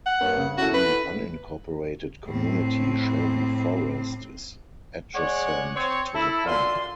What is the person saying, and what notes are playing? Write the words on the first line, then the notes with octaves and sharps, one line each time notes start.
The unincorporated community Shelby Forest is adjacent to the park.
F#5
G2 A#3 C#5
C#3
C#4 E4 F#4 A4
B4
A2 C4
G#3 C#5 D5 F#5
C4 C#5
E4 A4
F#2 D3 F4 C6